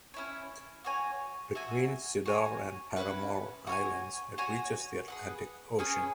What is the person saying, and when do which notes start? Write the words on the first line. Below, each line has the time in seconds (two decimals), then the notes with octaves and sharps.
Between Cedar and Parramore Islands it reaches the Atlantic Ocean.
0.14 C#4 E4 C#5
0.84 F#4 C#5 G#5
1.55 F#4 E5 G#5
2.26 F#4 C#5 G#5
2.96 C#4 E4 B4 F#5
3.67 F#4 C#5 G#5
4.38 F#4 C#5 G#5
5.08 G#4 B4 F#5
5.79 C#4 G#4 B4 G#5